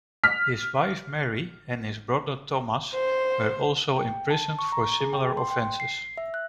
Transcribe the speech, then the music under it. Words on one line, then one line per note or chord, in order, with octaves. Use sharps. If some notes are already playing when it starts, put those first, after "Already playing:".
His wife Mary and his brother Thomas were also imprisoned for similar offences.
F6 B6
C5
G5
A5
C#6
A#5
G#4
G5
C6
G5
C7
E5
F#6